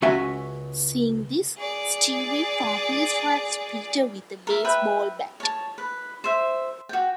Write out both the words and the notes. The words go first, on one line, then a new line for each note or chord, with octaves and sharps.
Seeing this, Stewie promptly strikes Peter with a baseball bat.
C#2 C#4 F#4 E5 G#5
G#4 D5
A#4 E5
B4 E5 G5
C#5 A5
B4
C5 E5
F#4 G5